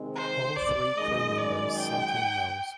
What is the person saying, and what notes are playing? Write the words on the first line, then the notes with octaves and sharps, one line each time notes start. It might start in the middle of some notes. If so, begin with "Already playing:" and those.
All three crew members sat in the nose.
Already playing: C3 D#3 G#3 C4
C5
D5
F#2 D#3 G#3 D#5
D5
G5